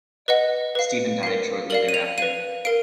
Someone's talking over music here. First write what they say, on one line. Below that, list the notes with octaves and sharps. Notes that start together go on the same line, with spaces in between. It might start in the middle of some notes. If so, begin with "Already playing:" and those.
Stephen died shortly thereafter.
B4 D#5 F#5
B4 F5
A#4 F5
A#4 D5 F5 F#7
D#7
F7
B4 F5 D#7
A#4 F5 D7